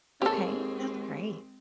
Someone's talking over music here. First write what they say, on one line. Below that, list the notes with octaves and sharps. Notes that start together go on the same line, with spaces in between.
Okay, that's great.
D#2 G#2 G#3 C4 C#4 G4 A4